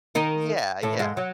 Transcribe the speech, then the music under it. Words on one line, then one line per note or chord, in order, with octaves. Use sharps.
Yeah, yeah.
D#3 D#4
A2 A3
G#2 G#3
F#3